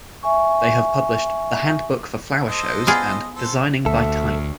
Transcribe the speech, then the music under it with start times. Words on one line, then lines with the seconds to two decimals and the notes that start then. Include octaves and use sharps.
They have published The Handbook for Flower Shows and Designing By Type.
0.23 E5 G#5 C#6
2.48 A4 C5 D#5
2.87 B3 F4 G#4
3.36 A4 C5
3.86 D2 A4 E5